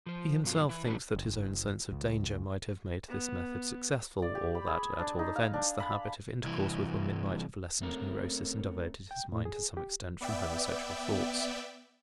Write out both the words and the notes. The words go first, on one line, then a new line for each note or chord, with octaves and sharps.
He himself thinks that his own sense of danger might have made this method successful, or that, at all events, the habit of intercourse with women might have lessened neurosis and diverted his mind to some extent from homosexual thoughts.
F3 C5
G2 B2 F#3 F4
E3 E4
D#3 E3 G3 B3 C#4 D4
F#1
C#2
B3
D5
G4
B5
G#4
D4
D#4
F5
D4
B5
C2 E3
A3 C4 C#4 A#4
G5
A2
G#4
G4
B3 D5 E5 G5